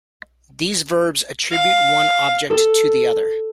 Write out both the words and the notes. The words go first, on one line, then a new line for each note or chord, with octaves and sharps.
These verbs attribute one object to the other.
F5
A4